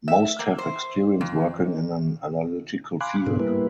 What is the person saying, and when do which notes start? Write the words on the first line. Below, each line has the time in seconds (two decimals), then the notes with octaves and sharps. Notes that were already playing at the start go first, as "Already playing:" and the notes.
Most have experience working in an analytical field.
0.08 E5
0.39 A#3
0.58 C5
1.21 F2
3.01 F5 G#5 B5 C6 D6 F#6
3.27 G#2 B2 B3 D4
3.40 G3 A#3 E4 B4